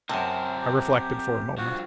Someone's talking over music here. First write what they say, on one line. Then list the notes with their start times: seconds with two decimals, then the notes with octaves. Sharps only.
I reflected for a moment.
0.09 F#2 C3 C4 A#4 A5
0.62 G4
1.58 G2 F3 F#4